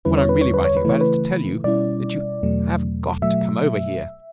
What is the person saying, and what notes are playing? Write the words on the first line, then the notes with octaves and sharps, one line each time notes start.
What I am really writing about is to tell you that you have got to come over here.
E2 D3 G3 C#4 E4 B4
C#5
B4
C#5
B4
C#5
B4
C#3 E3 A3 E4 C#5
B4
B2 G3 C#4 E4 D5
E2 B2 F#3 A3
B2 F#3 A3 E5